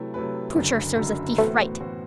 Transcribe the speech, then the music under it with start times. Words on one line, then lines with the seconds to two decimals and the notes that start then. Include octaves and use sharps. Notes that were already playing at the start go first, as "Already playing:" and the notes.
Torture serves a thief right.
Already playing: C3 F#3 A3 E4 B4
0.14 C3 F#3 A3 E4 B4
0.56 F#1 F#2 D3
0.97 F#1 F#2 D3
1.38 A2 E3 A3 B3 F#4 C5
1.80 A2 E3 B3 F#4 C5